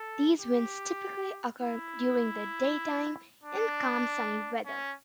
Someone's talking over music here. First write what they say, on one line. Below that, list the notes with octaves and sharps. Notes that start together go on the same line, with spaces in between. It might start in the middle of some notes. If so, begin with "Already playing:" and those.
These winds typically occur during the daytime in calm sunny weather.
Already playing: A4
G4
E4
D4
C#4